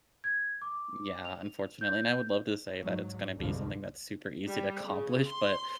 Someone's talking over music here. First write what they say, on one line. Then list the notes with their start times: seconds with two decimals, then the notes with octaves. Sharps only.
Yeah, unfortunately, and I would love to say that it's gonna be something that's super easy to accomplish, but
0.24 G#6
0.62 D6
1.25 F7
1.81 G6
2.80 G#2 F#3
3.37 F#1 C2 A2 D3 F3 G#3
4.48 G3
4.85 C#3
5.28 C6